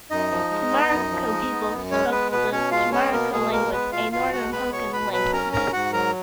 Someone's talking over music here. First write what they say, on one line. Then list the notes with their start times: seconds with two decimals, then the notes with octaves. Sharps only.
Chimariko people spoke the Chimariko language, a Northern Hokan language.
0.11 F#2 D#4 D#5
0.31 F3
0.51 G#3
0.71 B3
0.91 F#2
1.11 F3
1.32 G#3
1.52 B3
1.72 F#2
1.91 G#3 C#4 C#5
2.12 B3 B4
2.32 B2 B3 B4
2.51 B2 C#4 C#5
2.71 G#3 F4 F5
2.92 B3 C#4 C#5
3.12 B2 A#3 A#4
3.32 B2 G#3 G#4
3.52 G#3 A#3 A#4
3.72 B3 B4
3.92 B2 F4 F5
4.12 B2 F4 F5
4.32 G#3 F#4 F#5
4.52 B3 B4 B5
4.73 B2 C#5 C#6
4.93 B2 B4 B5
5.13 F#3 B4 B5
5.33 C#4 A#4 A#5
5.52 G#2 A#4 A#5
5.72 G#2 F#4 F#5
5.93 F#3 A#4 A#5